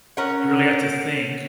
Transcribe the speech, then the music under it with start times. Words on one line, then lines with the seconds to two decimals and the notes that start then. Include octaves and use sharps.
you really have to think,
0.17 C#4 A#4 F#5